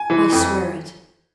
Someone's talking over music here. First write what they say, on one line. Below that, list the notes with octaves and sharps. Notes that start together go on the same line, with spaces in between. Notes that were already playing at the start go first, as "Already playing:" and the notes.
"I swear it."
Already playing: G#5
E3
F2